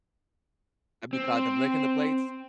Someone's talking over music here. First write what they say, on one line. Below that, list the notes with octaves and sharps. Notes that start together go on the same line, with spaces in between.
Have you caught them licking the plates?
C4